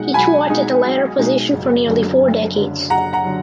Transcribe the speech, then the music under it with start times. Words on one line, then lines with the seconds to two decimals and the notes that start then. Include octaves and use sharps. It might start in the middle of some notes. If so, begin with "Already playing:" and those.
He taught at the latter position for nearly four decades.
Already playing: B1 B2 G#3 D#4 F#5
0.14 B1 G#5 B5
0.50 B2 G#3 D#4
0.84 B1
1.18 B2 G#3 D#4
1.53 F#1
1.87 F#2 D3 F#3
2.21 F#1
2.56 F#2 D3 F#3
2.90 F#1 F#5 A#5
3.13 F#5 A#5
3.25 D3 F#3